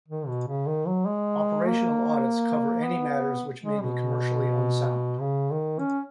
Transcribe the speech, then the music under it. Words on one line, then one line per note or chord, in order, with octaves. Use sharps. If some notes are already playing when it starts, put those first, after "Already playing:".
Operational audits cover any matters which may be commercially unsound.
D#3
B2
C#3
D#3
F#3
G#3
A#3
B3
G#3
B2
C#3
D#3
C#4